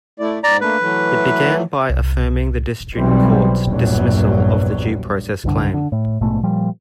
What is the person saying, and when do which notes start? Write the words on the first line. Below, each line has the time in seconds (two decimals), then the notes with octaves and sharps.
It began by affirming the District Court's dismissal of the Due Process claim.
0.20 A3 E4 D5
0.44 G#2 D5 A#5
0.61 A3 A#3 D4 B4
0.80 E3 F#3 A3
1.90 C2
2.95 B1 E3 F#3 G3 C4
3.63 A#1 E2 G2 F#3
5.44 C2 G2 D3
5.74 D3
5.92 A2
6.21 A#1 G#2 B2 A3
6.43 A#2 F3 G3